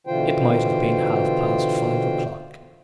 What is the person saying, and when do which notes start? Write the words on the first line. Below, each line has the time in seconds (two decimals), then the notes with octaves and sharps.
It might have been half-past five o'clock.
0.07 B2 D3 E3 F4 C5 G5